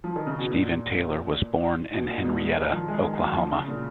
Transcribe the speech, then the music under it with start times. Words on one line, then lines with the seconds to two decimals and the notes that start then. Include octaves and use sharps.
Steven Taylor was born in Henryetta, Oklahoma.
0.04 F3
0.16 D#3
0.27 C#3
0.39 B2
0.50 A#2
1.93 B2
2.09 A#2
2.25 G#2
2.36 A#2
2.41 G#2
2.56 D#3
2.73 F3
2.88 G#3
3.04 D#3
3.20 F#3
3.35 F3
3.52 C#3
3.68 A#2